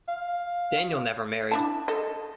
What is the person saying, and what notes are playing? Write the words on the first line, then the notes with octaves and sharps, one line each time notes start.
Daniell never married.
F5
D4 E4 A5
A4 D#5